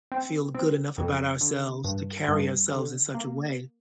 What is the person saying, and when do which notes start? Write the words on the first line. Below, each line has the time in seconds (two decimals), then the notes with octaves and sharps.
feel good enough about ourselves to carry ourselves in such a way.
0.12 C4
0.55 C4
0.98 F2
1.41 D3
1.84 G2
2.28 G2
2.72 D3
3.14 A#3